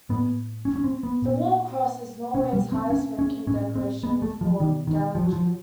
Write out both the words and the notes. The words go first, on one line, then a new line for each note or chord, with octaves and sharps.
The "War Cross" is Norway's highest ranking decoration for gallantry.
A2 B3
C#4
C#4
C4
B3
A#2
B2 C#4
G3
C4
C#4
C#4
A2 C#4
C4
B3
A3
F3
B2 D#3
D#3
F3
F#3
F3